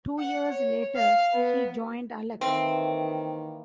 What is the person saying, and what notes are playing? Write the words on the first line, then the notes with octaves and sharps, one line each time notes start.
Two years later he joined Alex.
F#5
C#5
F5
B3
D#3 E3 A#3 C4